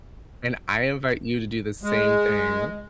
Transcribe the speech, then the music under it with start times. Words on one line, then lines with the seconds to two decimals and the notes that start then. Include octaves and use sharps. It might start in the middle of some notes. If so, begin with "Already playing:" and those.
And I invite you to do the same thing.
1.83 G#3